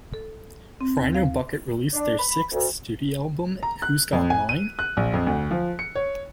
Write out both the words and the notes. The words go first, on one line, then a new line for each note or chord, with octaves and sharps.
Rhino Bucket released their sixth studio album Who's Got Mine?
A4
C4
D#2
F5
D4
B5
D2
A#5
F#6
F2
G#5
D#7
F#6
A#1
F2
D2
F3
C#7
C#5